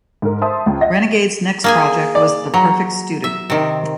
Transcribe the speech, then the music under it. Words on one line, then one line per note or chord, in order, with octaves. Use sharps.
Renegade's next project was "The Perfect Student".
G#2 A#4
C5 E5 A5 C6 D#6
C#2
D#5 E5 F#5 A#6
A#3 G#4 G#5
D5
F#3 A#5
E5
C3 D#3